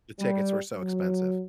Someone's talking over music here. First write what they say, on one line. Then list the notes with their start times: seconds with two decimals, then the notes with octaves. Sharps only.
The tickets were so expensive.
0.20 G3
0.76 F#3